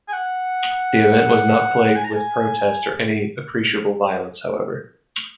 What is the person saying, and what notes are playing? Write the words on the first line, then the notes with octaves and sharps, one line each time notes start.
The event was not plagued with protest or any appreciable violence, however.
G#5
F#5
G#5
A#5
G#5